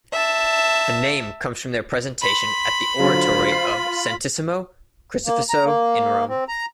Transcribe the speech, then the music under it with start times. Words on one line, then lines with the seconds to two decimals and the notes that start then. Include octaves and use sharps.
The name comes from their presentation at the Oratory of Santissimo Crocifisso in Rome.
0.12 E5 A5
2.22 B5 C6
2.99 D3 F#3 F4 C5
3.52 C7
5.26 A#3
5.50 A#5
5.65 A#3
6.29 C4
6.48 A#5